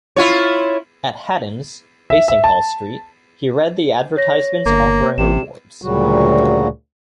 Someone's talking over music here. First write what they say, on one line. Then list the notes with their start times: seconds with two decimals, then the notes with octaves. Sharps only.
At Hatton's, Basinghall Street, he read the advertisements offering rewards.
0.16 E4 F4 C#5
2.10 E5
2.28 E5
2.44 A5
4.17 C#5 A#6
4.66 G1 A#3
5.18 A1 C3 E7
5.82 D2 A#2 C#3 F#3 G3 F#4